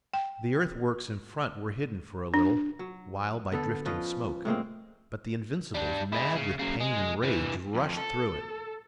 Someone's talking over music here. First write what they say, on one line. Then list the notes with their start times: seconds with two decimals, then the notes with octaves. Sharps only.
The earthworks in front were hidden for a little while by drifting smoke, but the Invincibles, mad with pain and rage, rushed through it.
0.14 G5
2.34 D4
2.79 F#3
3.52 D3 B3 A4
3.86 F3 C#4 B4 D#5
4.45 A2 G#3 A#3 C4
5.74 G3 D4
6.12 G#3 E4
6.35 C#3
6.59 C#3 F#3
6.80 G#3
7.23 G2 E3
7.75 F2
7.97 A4